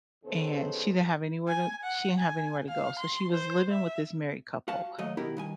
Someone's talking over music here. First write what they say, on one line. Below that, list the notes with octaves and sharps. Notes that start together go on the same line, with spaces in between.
and she didn't have anywhere to she didn't have anywhere to go. So, she was living with this married couple
D#2 C#3 B3 A4 C5
G#5
F#5
G#5
F5
C6
C5
E5
F#4 F5 A5
D#2 F#3 A3 D#5
B2 D#3 E4 G4 A#4 B5
G2 D#3 G#5